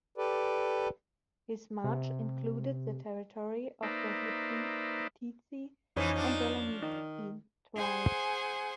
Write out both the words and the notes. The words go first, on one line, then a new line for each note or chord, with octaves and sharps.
His march included the territory of the Chutizi and Dolomici tribes.
G4 A4 B4 D5
C3
A#3 D#4 B4 C5 D5 E5
F2 E3 F3 C#4 D#4
F3 D4
D#3 D#4
G#4 C5 F#5 G#5